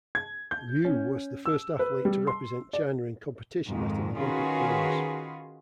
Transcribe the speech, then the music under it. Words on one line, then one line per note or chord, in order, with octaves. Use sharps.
Liu was the first athlete to represent China in competition at an Olympic Games.
G#6
G6
C#4
E6
B4
G3
C6
D5
F2 G#2 D#3
D#3 C#4 F4 F#4 G#4 B4